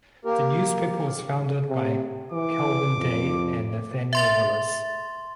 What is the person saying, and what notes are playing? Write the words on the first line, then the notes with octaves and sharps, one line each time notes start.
The newspaper was founded by Calvin Day and Nathaniel Willis.
A#3 G4 A#4
C3
E3 D6
F2
E5 C6 A6